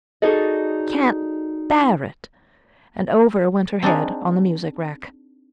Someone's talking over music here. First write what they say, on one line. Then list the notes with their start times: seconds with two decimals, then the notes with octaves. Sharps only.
"I can't bear it!" and over went her head on the music rack.
0.22 D#4 F#4 G#4 A4 D5 D#5
3.82 C4 D4 D#4 G#4